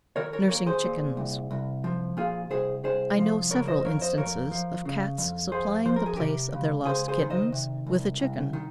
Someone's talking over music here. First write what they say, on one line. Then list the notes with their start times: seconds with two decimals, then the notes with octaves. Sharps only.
NURSING CHICKENS.--I know several instances of cats supplying the place of their lost kittens with a chicken.
0.16 D#3 A#4 C#5
0.33 A#4 C#5
0.49 D#2 A#4 C#5
0.66 G#4 C5
0.83 A#2
1.17 C2
1.51 C2
1.84 F3
2.17 A#2 F4 G#4
2.50 C2 G#4 C5
2.84 C2 G#4 C5
3.18 F3
3.51 C#3 A#4 C#5
3.67 C5 D#5
3.84 F2 A#4 C#5
4.01 C5 D#5
4.18 F2 A#4 C#5
4.51 F3
4.85 C#3
5.18 F2
5.51 F2 G#4 C5
5.85 F3 C5
5.96 A#4
6.06 G#4
6.17 C3 G4 A#4
6.52 C#2
6.86 C#2 G#4 C5
7.08 G#4 C5
7.19 D#3
7.30 C5 D#5
7.52 C3
7.87 C2
8.20 C2
8.53 D#3